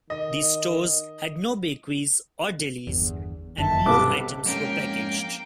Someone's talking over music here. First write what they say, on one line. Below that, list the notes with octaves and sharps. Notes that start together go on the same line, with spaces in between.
These stores had no bakeries or delis and more items were packaged.
D#3 D#5
G1 E2
F#1 F2 D#3 E5 A5
B1 G2 C3 B4 D6
F2 G#2 A#3 C#4 G5